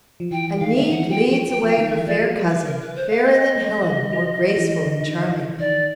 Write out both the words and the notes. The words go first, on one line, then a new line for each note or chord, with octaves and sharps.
Enide leads away her fair cousin, fairer than Helen, more graceful and charming.
F3
E3 G5
D#3 F5
E5
D#3
E3 F#5
F3 G5
F3 G5
F#3 G5
F3 G5
D#3
E3 E5
F3 D5
F#3
G3
B4
A#4
B4
C5
F5
D#5
A3
G#3
G3
F#3
F3
E3
D3
D#3
F3
E3
D#3 D5